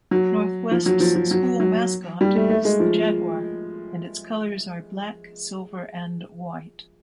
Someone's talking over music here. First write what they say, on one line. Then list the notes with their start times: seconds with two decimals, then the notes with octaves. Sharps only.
Northwest's school mascot is the jaguar and its colors are black, silver and white.
0.11 F#3
0.71 F3
0.86 F#3
1.00 F3
1.16 F3
1.31 F#3
1.60 F#3
2.21 G3
2.35 A3
2.49 A3
2.65 G#3
2.80 F3